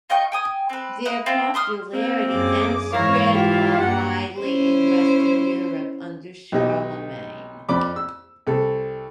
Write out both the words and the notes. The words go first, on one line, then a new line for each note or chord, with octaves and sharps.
Their popularity then spread more widely in western Europe under Charlemagne.
F4 D#5 G5 C#6
G5 G#5 D#6
C4 B4
E4 D#5 F#5
C4 F4
E5 C6 D#6 F6
A#3 C4
F#2 G#4 D6
G#2 E3 E4 A#4 C#5 F5
F4 G4
G2 A#3 F#5
C#4 E4 C5
B1 D#4 G4 D#5
F2 D5 B5 D6
E6
C2 A4